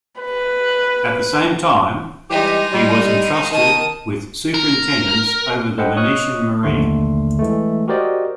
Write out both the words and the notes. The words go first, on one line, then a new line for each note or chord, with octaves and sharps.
At the same time, he was entrusted with superintendence over the Venetian marine.
B4
E3 G3 G#3 D#4 G4
G3
D#3 A5 D#6
A#4
A4 C5 D#5 F#5 G5 B5
C#5 D#5 C#6 D#6 F6 F#6
A#1 D#2 D3 A3 C6
E3 G#3 A3
F#4 G4 A#4 C5 D5 D#5